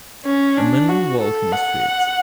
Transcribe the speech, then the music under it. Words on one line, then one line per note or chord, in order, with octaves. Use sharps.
A man walks on the street.
C#4
D4
F#4
A4
F#5